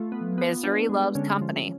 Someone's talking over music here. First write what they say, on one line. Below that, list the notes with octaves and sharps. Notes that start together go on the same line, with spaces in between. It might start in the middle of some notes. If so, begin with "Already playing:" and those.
Misery loves company.
Already playing: A3 F4
B3
B3
B3 D4
G#3
D3 C#4
F3